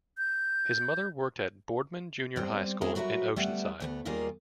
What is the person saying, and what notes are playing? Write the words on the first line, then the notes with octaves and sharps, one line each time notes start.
His mother worked at Boardman Junior High School in Oceanside.
G6
G3 C4
A#3 C4 C#4 E4 G#4 A4
F#3 F#4 A#4 B4 E5
G3 A3 B3 F#5
D2 A3 B3
D#2 D#3 G3 A#3 F4 G#4